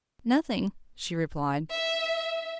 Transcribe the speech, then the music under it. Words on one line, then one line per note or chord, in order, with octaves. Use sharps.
"Nothing," she replied.
E5